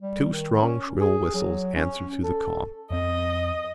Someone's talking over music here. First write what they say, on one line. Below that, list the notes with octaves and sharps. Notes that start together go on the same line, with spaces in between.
Two strong shrill whistles answered through the calm.
G3
D#3
C#4
G#4
F#3
C#4
A4
F2 C4 D#5